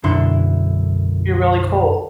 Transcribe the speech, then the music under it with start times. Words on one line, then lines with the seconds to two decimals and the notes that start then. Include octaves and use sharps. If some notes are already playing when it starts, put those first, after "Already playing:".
You're really cool.
0.04 B1 F#2 D3 E4 C6